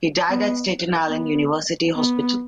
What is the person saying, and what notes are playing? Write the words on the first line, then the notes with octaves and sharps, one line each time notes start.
He died at Staten Island University Hospital.
B3
B3
B3